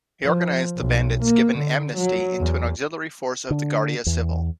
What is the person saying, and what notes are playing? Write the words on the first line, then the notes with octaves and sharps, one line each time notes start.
He organized the bandits given amnesty into an auxiliary force of the Guardia Civil.
F3
B1
A#3
D3
F#3
E2
D3
E2